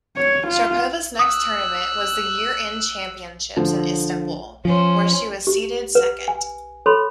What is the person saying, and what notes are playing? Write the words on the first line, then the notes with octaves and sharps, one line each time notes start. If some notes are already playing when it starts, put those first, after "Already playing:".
Sharapova's next tournament was the year-end championships in Istanbul, where she was seeded second.
C#5
F4
D#6 E6 F#6
D3 F3
F3 C#4 C5
G4
B4
G#5
A4 C#5 B5 C6